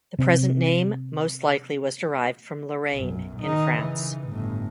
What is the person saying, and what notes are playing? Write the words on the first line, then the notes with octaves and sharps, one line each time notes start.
The present name most likely was derived from Lorraine, in France.
C3 C4
B1 F#2
D#3 D#4
C#3 E3
G1 A2